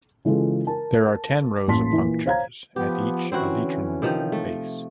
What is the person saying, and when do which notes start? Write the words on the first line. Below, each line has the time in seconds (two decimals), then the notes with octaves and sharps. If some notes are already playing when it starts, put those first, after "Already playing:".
There are ten rows of punctures at each elytron base.
0.25 C#3 E3 G#3 F4 A4
0.67 A#4 A5
1.67 A1 A2 A#3 A5 C6 B6
1.91 A#2 E3 A#3
2.26 C5 C#5 F5 A#5 G#6
2.76 F3 B3 G4
3.32 D3 E3 C4 C#4 E4 F#4
4.02 C3 D#3 F3
4.32 A3